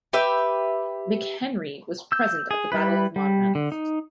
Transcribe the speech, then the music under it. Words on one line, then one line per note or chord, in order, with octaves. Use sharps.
McHenry was present at the Battle of Monmouth.
G4 B4 E5
E6 G6
G#4
G3 E4 B4
G3
D3
D#4